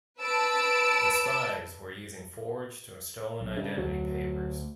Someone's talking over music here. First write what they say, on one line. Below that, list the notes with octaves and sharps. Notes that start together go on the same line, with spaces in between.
The spies were using forged or stolen identity papers.
B4 A5 E6 D7
B1
G2 C#3
D2 F#3